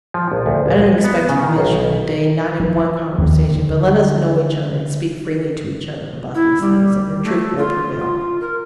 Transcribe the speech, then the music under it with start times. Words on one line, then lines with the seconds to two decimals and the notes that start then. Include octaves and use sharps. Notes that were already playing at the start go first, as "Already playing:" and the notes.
I don't expect to convince you in a day,--not in one conversation; but let us know each other, and speak freely to each other about these things, and the truth will prevail.
0.14 F3
0.32 A#1
0.46 D2
0.66 A#1
0.82 D#5
1.04 B3
1.29 C#3
1.43 D#3
1.56 B1
2.60 F3
3.18 D#2
3.51 D3
6.35 E4
6.61 G3
7.24 A3
7.57 F4
8.00 F4
8.41 A#4